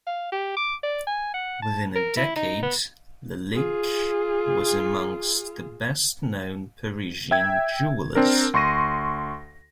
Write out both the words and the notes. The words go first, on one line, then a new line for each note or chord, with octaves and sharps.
Within a decade, Lalique was amongst the best-known Parisian jewellers.
F5
G4
D6
D5
G#5
F#5
A5
A#4
E4
D#4
B3
F4 G#4
E5 G5 G#6
C4 D4 A#4
D2 C6 C#6 A#6 D#7